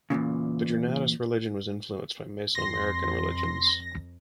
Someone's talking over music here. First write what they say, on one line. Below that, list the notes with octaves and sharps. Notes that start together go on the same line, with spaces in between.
The Jornada's religion was influenced by Mesoamerican religions.
E2 G2 A#2 C#3
F2 C6 A#6